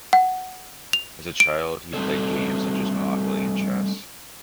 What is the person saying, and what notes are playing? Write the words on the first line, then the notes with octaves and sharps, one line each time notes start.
As a child he played games such as "Monopoly" and chess.
F#5
F7
D7
G3 A3 C4 D4 A4 C#5